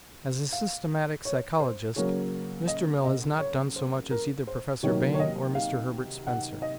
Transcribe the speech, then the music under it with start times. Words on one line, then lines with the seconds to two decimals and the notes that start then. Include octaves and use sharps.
As a systematic psychologist Mr. Mill has not done so much as either Professor Bain or Mr. Herbert Spencer.
0.53 F5
1.25 C#5
1.60 C5
1.96 C#3 F#3 A#3 C#4 C#5
2.68 D#5
3.04 D#5
3.39 C#5
3.76 C5
4.11 A#4
4.47 C5
4.83 C3 D#3 F#3 A#3 C#5
5.14 C#5
5.19 D#5
5.55 F5
6.27 F#5
6.62 D#5